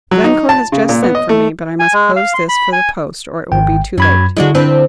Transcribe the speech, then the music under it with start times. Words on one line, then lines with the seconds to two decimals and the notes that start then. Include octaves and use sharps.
Glencore has just sent for me; but I must close this for the post, or it will be too late.
0.11 F#3
0.24 D#4
0.49 A5
0.72 C#3
0.89 A#2
1.03 B3
1.15 D#5
1.29 A3
1.80 G#5
1.93 G#3
2.16 F5
2.34 C6
2.49 B5
2.73 G#5
3.52 G#1 G5
3.98 F#2 F#3 B5 G#6
4.37 D3 G#3 D4 E4 F#4
4.55 C4 D4 B4